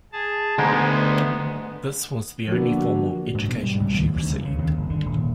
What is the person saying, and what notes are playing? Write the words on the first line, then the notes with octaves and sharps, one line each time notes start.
This was the only formal education she received.
G#4 A5
D2 G#2 G#3 B3 G4
D3 F3 A#3 B3 F#4
G#2
B2
G3
C#2
D#2
D2
C#2
C#3
D#2
G1
D3
D#1